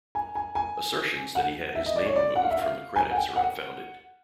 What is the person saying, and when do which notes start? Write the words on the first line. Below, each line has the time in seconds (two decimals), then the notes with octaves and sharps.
Assertions that he had his name removed from the credits are unfounded.
0.15 G#5
0.35 G#5
0.55 G#5
1.35 F#5
1.75 E5
1.86 D#5
1.96 D5
2.06 C#5
2.16 D5
2.36 F#5
2.43 F5
2.51 E5
2.58 F5
2.96 G#5
3.11 F#5
3.16 G5
3.36 F#5